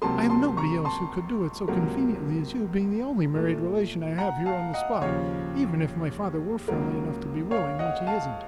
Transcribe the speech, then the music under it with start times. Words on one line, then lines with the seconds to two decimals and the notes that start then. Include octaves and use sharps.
I have nobody else who could do it so conveniently as you, being the only married relation I have here on the spot, even if my father were friendly enough to be willing, which he isn't.
0.02 C#2 C3 F#3 A#3 A5 C6
0.30 A5 C6
0.57 A#5 C#6
0.85 A5 C6
1.68 C#2 C3 F#3 A#3
3.34 A#2 A3
4.18 F#5 A#5
4.46 F5 A5
4.74 D#5 F#5
5.01 D#2 C#3 F3 C#5 F5
6.68 C#2 C#3 F#3 A#3
7.51 C#5 F5
7.79 D#5 F#5
8.07 F5 A5